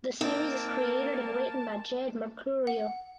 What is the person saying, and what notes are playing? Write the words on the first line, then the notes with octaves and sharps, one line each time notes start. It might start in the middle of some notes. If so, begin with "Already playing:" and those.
The series is created and written by Jed Mercurio.
A#3 C4 D#4 A5
F#5